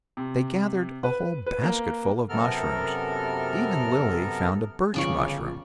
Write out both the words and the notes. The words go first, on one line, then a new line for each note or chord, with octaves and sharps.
They gathered a whole basketful of mushrooms; even Lily found a birch mushroom.
C3
B4
B4
A#3
F#2 C3 B3 A4 A#4 F6
G1 C#2 C#3 F3 F4 D5 C#6